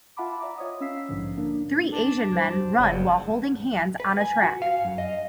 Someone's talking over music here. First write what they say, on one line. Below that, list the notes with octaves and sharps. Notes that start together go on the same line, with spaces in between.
Three Asian men run while holding hands on a track.
F4 E5 F#5 A5 B5 D6
D5 E5 A#5 D6
F4 C#5 D#5 D#6
C#4 F5 E6 B6 C7
A#1 G#2 D3 F3
A#3 D4
D4
G3 C5
F#1 E2
B4
G#5
F#4
F5
F#2
D#5